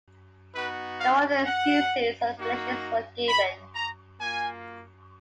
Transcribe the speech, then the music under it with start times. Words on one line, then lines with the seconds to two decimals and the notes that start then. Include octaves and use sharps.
No other excuses or explanations were given.
0.54 B3 D#4 F#4 B4
1.00 F5
1.45 F#5
2.37 A#3 D#4 F#4
3.28 B5
3.74 A#5
4.19 A#3 F4 G#5